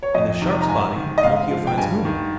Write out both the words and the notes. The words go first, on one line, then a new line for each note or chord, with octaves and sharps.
In the Shark's body Pinocchio finds whom?
C#5
F2 D#5
C3 D#3
A#5
G#2 G#5
D#3
D#5
G#2 F5
F3
G5
G2 G#5
D#3